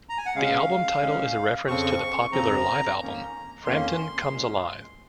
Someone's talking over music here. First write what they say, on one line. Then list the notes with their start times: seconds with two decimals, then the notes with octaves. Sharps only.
The album title is a reference to the popular live album "Frampton Comes Alive".
0.09 A#5
0.18 G#5
0.26 F#5
0.35 C#3 G#3 C#4 F5
1.01 C#3 G#3 C#4
1.67 F2 C#3 F3 C4 C#6
2.32 F2 C#3 F3 C4 A#5
2.98 F2 D#3 A#3 C#4
3.65 F2 D#3 A#3 C#4 C6
4.30 A#2 G#3 C#4